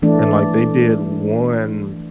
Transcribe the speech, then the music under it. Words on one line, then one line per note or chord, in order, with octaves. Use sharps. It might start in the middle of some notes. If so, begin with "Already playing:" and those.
and, like, they did one,
E3 A3 D4